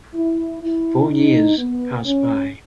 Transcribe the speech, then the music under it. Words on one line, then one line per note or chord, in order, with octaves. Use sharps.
Four years pass by.
E4
E4
D#4
B3
C#4